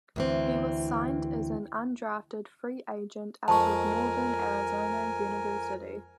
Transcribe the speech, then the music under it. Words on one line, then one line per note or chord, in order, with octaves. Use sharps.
He was signed as an undrafted free agent out of Northern Arizona University.
D2 E3 C4
F2 G#3 A#4 G#5 A5 C#6